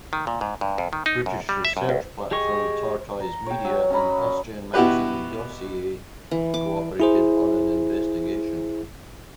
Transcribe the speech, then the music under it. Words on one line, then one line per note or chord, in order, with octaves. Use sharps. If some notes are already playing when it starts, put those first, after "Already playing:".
British research platform Tortoise Media and Austrian magazine Dossier cooperated on an investigation.
D#3
A#2
G#2
G2
F2
D#3
D#4
F#2
G3
E5
F#2
C#2
G4 G#4 D#5 C#6
A#5
C#5 G5
F#3
C#4 D#5 A#5 B5
B2 E4 F#4 G4 B4
E3
D6
E4 G#4 C5